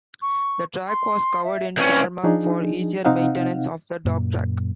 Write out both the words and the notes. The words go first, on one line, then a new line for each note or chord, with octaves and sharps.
The track was covered in tarmac for easier maintenance of the dog track.
C#6
C6
E5
C2 C#4 B4
F3 D4 D#4 G#4
C3 C4 D#4 F5 F#5
F#2 A#2 A#3